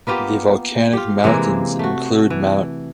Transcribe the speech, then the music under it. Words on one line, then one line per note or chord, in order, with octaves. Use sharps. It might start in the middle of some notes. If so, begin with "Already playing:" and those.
The volcanic mountains include Mt.
A#3 B3 F4 G4
F4 G4
C3 E3 G#3 A#3
A3 F#4
E3